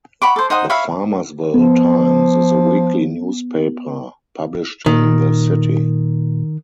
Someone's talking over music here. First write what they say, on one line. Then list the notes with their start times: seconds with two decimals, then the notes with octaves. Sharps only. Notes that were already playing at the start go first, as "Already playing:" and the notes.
The "Farmersville Times" is a weekly newspaper published in the city.
0.22 F#5 B5 C#6 D6
0.36 A4 C5
0.50 D#4 C5 F#5 D#6
0.70 C#5 E5 F5 B5
1.54 F3 B3
4.86 A#2 D#3